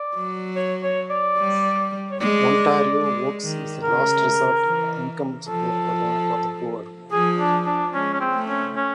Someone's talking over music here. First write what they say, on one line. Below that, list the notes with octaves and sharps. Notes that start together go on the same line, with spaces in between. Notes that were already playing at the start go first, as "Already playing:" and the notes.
Ontario Works is a last-resort income support program for the poor.
Already playing: D5
F#3
C#5
C#5
D5
G3
C#5
G#3 D5
G#3
D#3
C#3 A#4
E3
F3 A4
F3 G#4
D4
D4
G#3 C#4
C#4
C4
A3
C#4
C#4